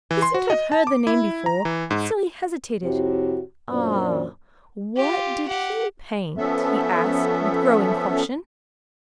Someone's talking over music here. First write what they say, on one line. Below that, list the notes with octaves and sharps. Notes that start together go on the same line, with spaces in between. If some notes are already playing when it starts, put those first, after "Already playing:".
He seemed to have heard the name before, but still he hesitated. 'Ah--what did he paint?' he asked, with growing caution.
E3
C6
F#4
D#5
A5
D6
E4
A#5
E3
G#2
F2 C3 E4 F#4 G4 C#5
F#2 A#2 D4 C5 D5
F4 G4
G4 F#5
F3 B3 C#4 A4 E5